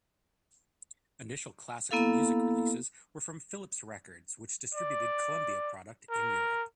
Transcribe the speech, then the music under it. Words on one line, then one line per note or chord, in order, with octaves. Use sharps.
Initial classical music releases were from Philips Records which distributed Columbia product in Europe.
A#3 B3 E4 A4 F5
D5
A#4